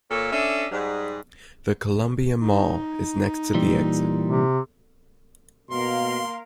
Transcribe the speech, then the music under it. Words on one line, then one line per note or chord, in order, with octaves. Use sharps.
The Columbia Mall is next to the exit.
A#2 A#3 A4 C#5
C#4 D4 A4 D5 E5
G#2 G3
D#4
A#2 E3 G3
C3
B2 A#3 A#4 F5 C6